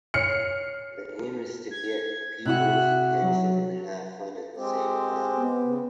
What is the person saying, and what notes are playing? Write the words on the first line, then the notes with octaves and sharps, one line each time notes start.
The aim is to get people's attention and have fun at the same time.
C#5 F6 C7 C#7
G#6
C3 E4 F#4 F#6
F#3
G#3 C4 G4 C5
B3
C#3